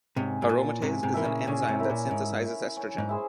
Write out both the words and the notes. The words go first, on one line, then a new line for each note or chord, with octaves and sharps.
Aromatase is an enzyme that synthesizes estrogen.
G#2 C3 C#4
G#2
A#2 E4 A#4 E5
G#2 C3 C#4
G#2 C3
E3 E4 A#4 E5
A#2 C#3
A#2 C#3 C#4
A#2
G#2 C3
E4 A#4 E5
A#2
G#2 C#4
E4 A#4 E5
C#4
G#2
E4 G#4 C5